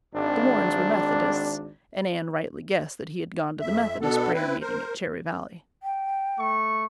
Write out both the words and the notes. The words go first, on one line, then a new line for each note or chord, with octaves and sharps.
The Warrens were Methodists and Anne rightly guessed that he had gone to the Methodist prayer meeting at Cherry Valley.
G#1 D4
F2 E5
B2 B3 D4 A4
C4 E4 B4
A#4 C5
G5
A3 C#6